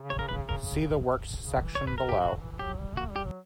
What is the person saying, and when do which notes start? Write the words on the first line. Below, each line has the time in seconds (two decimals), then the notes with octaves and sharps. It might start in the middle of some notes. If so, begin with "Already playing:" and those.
See the Works section below.
Already playing: C#3
0.10 C#5
0.19 A#4
0.29 B4
0.49 A#4
1.44 C#3
1.63 E3
1.75 C#5
1.87 B4
1.98 B2 A#4
2.09 G4
2.14 E3
2.20 D3 F#4
2.40 E3
2.52 E3
2.59 F#3 G4
2.78 G3
2.97 A#3 F#4
3.11 G3 G4
3.25 F#3